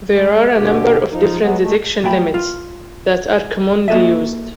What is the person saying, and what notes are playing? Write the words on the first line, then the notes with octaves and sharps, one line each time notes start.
There are a number of different "detection limits" that are commonly used.
G#3
B2 D3 G4
F3 D#4
F#3 G#3 B3
G#3 A3
F#3 A3 G5 B5
F4
A#3 F#4 A4 D#5 E5